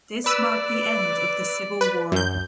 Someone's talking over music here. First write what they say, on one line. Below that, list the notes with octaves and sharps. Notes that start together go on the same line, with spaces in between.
This marked the end of the civil war.
B4 D5 E6
B4
F#2 G6